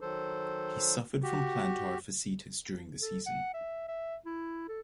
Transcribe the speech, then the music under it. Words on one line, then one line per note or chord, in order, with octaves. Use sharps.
He suffered from plantar fasciitis during the season.
D#3 F#3 A4 C5
F#4 G4
A4
F#5
E5
E5
E4
A4